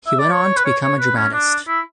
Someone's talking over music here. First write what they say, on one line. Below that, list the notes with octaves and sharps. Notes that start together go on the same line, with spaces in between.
He went on to become a dramatist.
E5
D5
C#5
B4
C#5
C#5
B4
C#4
D4
E4